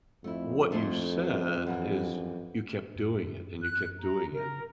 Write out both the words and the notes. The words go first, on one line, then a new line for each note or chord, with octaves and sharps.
what you said is you kept doing it and you kept doing it.
F2 A3 E4
A3 E4 C5
F#2 E3 A#4
F#2
F#6
A#5
C#3 A#4